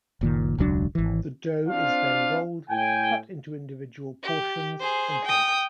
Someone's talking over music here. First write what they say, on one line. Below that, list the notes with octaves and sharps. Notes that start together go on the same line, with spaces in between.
The dough is then rolled, cut into individual portions, and baked.
F#1 A#2 D#3
E1 C#2 F#3 D4
G#1 E3
C4 D4 F4 F5
A2 G5 G#5
G4
G#4 C5
G5 D#6